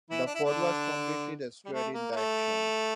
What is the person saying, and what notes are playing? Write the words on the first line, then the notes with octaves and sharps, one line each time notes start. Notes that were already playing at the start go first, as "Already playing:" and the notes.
The fort was completely destroyed in the action.
E3 E4
D4
E4
D3 D4
G3
A3
A#3
A#3
A3